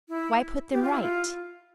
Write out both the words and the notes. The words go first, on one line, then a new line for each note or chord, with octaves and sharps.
Why put them right?
E4
G4
F4
E4
F4